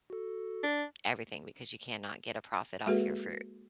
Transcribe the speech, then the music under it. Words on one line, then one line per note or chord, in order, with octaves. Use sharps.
everything, because you cannot get a profit off your fruit.
F#4 A4
D4
G#3 A#3 F#4 G#4 A4 B4